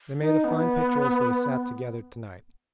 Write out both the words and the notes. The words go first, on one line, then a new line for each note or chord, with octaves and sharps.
They made a fine picture as they sat together to-night.
D#4
B3